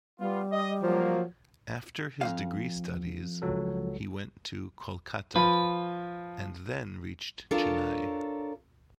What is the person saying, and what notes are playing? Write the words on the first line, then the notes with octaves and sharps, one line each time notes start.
After his degree studies, he went to Kolkata, and then reached Chennai.
G3 B3 F4
D#5
F3 F#3 A#3
F2 E3 F5
C#2 F#3 A4
F3 B4
D4 F4 A4 A#4 C#5